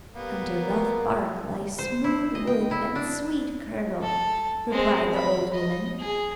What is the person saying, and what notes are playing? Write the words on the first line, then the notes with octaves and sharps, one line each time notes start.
'Under rough bark lies smooth wood and sweet kernel,' replied the old woman.
G3 A#3 B3
A#4
C5
E4
D#5
G5
E4
D4
A4
G#3 C4
B5
D#5
G#4